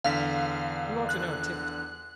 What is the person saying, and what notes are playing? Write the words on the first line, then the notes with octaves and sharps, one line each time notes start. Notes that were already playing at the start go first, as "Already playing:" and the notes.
You ought to know Tifto.
E2 D3 F5 B6
F#6